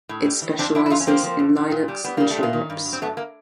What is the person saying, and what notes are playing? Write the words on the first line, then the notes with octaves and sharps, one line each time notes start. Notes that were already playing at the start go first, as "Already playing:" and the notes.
It specializes in lilacs and tulips.
A2
G3
E3
F2 C4 D4
F2 D4 E4
E4
F2 D#4 F4
C#4
F3 A#3 C4
F3
F2
A#2
A#2
G3
G3 B3
G3 A#3
A3
A#2
A#3
D#3
G2
F#3
C4
G2 A3 B3
A#3